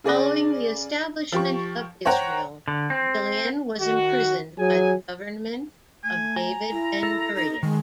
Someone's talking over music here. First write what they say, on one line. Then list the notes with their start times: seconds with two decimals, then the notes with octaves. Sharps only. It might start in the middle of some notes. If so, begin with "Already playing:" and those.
Following the establishment of Israel, Ghilan was imprisoned by the government of David Ben-Gurion.
0.04 C#3 G#4 D5 A#6
1.32 F3 G4 C#6
2.05 C5 C#5 F#5 G5 A#5
2.68 D3
2.90 C4
3.80 D#3 F#4
4.59 F#3 G#4 G#5
6.04 A3 G#5
6.36 G#5 A#5
6.72 E4
7.03 A4
7.35 D#4
7.63 D#3 G#3